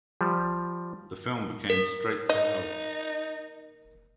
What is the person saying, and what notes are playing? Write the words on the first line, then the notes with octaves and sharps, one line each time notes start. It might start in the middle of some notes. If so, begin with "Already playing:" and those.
The film became "Straight to Hell".
F3 G3
A#4
D#4 D#5